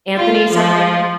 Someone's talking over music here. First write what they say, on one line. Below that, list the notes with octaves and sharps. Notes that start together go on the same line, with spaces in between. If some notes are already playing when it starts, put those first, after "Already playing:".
Anthony something,
F4
F3